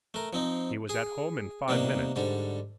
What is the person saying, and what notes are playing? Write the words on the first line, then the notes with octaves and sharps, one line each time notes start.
He was at home in five minutes.
A3 A#4
F3 C4 D#4
G#4
C3 D#3 G3 A#3 B3
G#2 D3 G3